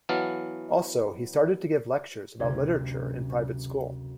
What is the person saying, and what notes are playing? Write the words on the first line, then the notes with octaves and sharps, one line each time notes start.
Also he started to give lectures about literature in private school.
E3 F#3 B3 F5 A5
F#1 D2 C3 G#6